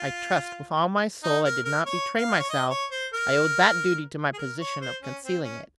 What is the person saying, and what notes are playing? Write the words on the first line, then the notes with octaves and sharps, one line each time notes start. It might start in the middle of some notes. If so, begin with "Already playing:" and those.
I trust with all my soul I did not betray myself, I owed that duty to my position of concealing it.
Already playing: F4
D#4
A#4
A#4
C#5
F5
C#5
D#5
C#5
C5
A#4
G#4
A#4
C#5
C5
C#4
C4
C#4